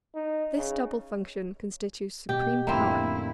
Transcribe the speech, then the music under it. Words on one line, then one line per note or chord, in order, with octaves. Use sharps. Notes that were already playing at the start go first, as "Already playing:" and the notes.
This double function constitutes supreme power.
D#4
C#3
B2 G4
A1 F2 D3 A#3 C4 E4